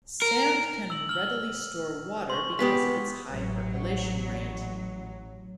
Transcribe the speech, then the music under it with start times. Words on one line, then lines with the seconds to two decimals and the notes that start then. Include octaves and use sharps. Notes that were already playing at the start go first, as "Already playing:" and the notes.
Sand can readily store water because of its high percolation rate.
0.22 A#4
0.90 E6 F#7
1.09 F6 F#7 G7
2.30 C6 C#6
2.59 G#3 B3 G4 D#6 B6
3.28 A1 F#3